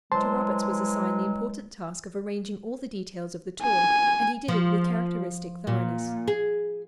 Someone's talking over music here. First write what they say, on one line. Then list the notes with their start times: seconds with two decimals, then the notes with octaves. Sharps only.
To Roberts was assigned the important task of arranging all the details of the tour, and he did it with characteristic thoroughness.
0.12 E3 F#3 G#3 C5 A5 C6
3.63 G#5
4.48 F3
5.67 A#2
6.28 G#4